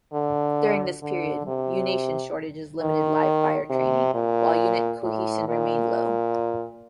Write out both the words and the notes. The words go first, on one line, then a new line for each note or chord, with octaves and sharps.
During this period, munition shortages limited live fire training, while unit cohesion remained low.
D3
D3
C3
D#3
C3
A#2
A2
A#2